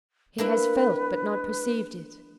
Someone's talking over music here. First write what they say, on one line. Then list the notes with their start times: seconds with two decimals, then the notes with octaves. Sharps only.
He has felt but not perceived it.
0.38 A#3 D4 E4 B4